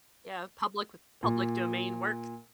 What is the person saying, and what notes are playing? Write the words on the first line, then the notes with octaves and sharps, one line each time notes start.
Yeah, public with public domain works.
A#2